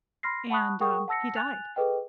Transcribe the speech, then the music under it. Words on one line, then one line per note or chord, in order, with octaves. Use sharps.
and, um, he died.
B5 C6 F6 A#6 C7
F#5 A5 B5 C#6 D#6 F#6
G#4 A#4 F#5 G5 C#6 D#6
F#5 A5 E6 A#6 C#7
G#5 F#6 A6 F7
G#4 A4 B4 D#5 G5